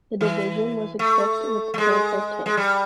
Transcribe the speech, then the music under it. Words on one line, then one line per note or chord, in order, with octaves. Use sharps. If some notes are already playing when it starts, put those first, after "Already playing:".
The division was equipped with Panther tanks.
E3
A3
A3
G#3
G#3
G3